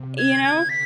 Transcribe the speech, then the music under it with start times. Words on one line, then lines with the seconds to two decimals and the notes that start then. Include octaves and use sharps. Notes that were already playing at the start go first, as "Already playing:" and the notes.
You know?
Already playing: C3
0.18 D3 G#6
0.44 G#6
0.69 B6